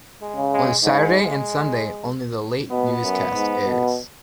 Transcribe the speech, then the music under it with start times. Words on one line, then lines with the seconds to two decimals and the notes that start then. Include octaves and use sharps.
On Saturday and Sunday, only the late newscast airs.
0.21 G#3
0.36 C#3
0.52 G#3
0.83 G#2 G#3
2.71 B2 B3
3.03 F#2
3.34 G#2
3.65 B2